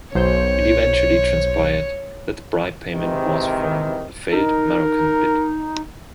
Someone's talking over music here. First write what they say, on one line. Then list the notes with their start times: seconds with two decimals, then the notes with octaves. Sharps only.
It eventually transpired that the bribe payment was from the failed Moroccan bid.
0.15 B1 C5 C#5 G6
2.93 G#2 C3 D#3 E3
4.33 D#4 A#4